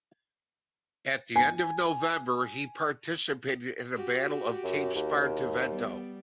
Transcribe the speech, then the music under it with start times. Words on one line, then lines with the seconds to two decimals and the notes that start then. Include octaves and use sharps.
At the end of November he participated in the battle of Cape Spartivento.
1.36 G#5
3.94 F#4 G4
4.64 F#2
4.96 D#2
5.69 G3 B3